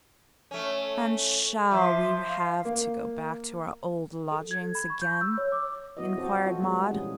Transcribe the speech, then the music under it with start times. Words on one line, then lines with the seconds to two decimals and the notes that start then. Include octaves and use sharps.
'And shall we have to go back to our old lodgings again?' inquired Maud.
0.51 A3 C#4
1.71 F3 E5 C6 D6
2.25 F5
2.65 A#3
4.32 A4
4.51 G#6
4.75 B5
4.90 C#6
5.01 G6
5.21 E6
5.38 C#5
5.52 D6
5.97 F#3 B3 E4 F#4 B4 D#5
6.18 C4 F#4 A4 C5
6.44 F4 F#4
6.62 G3 G#3 B3
6.91 A#2 E3 C#4 G#4